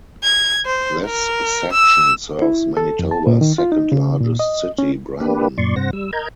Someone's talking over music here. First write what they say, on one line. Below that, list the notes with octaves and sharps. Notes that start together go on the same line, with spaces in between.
This section serves Manitoba's second largest city, Brandon.
G#6
C5
A#4
E6
E4
A4
F2
A5
A#2
D#3
F4
D#4
C#3
A#2
D#5
C#4
A#3 D4 G4 B4
F#2 A#2 D5 C6 C#6
G2 C3 C5 F#5 A#6
G3 E6
A#4 D#5 A#5 G6 G#6